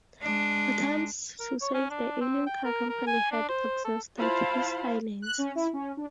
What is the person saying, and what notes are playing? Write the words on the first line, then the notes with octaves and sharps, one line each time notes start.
Attempts to save the ailing car company had exhausted his finances.
G#3 D4
A#4
C#5
C#4
D4
C4
G5
A#4
A#4
G#5
D4
C5
A4
E4 F4 C5 F5 A5 B5
F#6
C#4
E4
C#4
D4